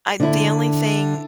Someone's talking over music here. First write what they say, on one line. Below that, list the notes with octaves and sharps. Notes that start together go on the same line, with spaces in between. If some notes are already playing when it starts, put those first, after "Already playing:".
I the only thing,
D3 E4